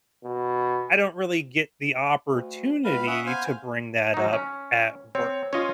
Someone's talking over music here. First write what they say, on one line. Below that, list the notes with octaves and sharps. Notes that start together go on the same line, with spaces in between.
I don't really get the opportunity to bring that up at work.
B2
D2
C#2 B4 F5
C#4 E5 F#5 D#6
B3 C5 F5 G#5
F#3 D#4
C#4
C4 C#5
C#4 F4 C#5 D#5